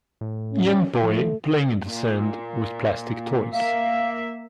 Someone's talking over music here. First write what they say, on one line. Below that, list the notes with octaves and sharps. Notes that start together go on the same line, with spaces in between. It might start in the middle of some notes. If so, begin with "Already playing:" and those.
Young boy playing in the sand with plastic toys.
A2
C#4
F3 A3
A#2
A#3 E5 F5